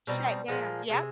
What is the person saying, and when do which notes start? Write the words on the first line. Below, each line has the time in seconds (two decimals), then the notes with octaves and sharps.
shut down Yep.
0.07 B2 G3 C4 D#4
0.48 A#2 F3 G#3
0.89 C3 D#3 G#3